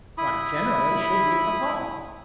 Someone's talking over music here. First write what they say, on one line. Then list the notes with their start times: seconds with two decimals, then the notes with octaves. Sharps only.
"Why, generally she'll be at the Hall."
0.18 E4 B5 D#6